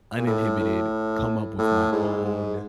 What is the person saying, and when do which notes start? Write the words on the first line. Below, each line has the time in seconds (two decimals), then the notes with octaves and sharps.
uninhibited, come up with my own,
0.17 A#2
0.26 A2
0.60 A2
1.59 A2
1.92 G#2
2.24 G#2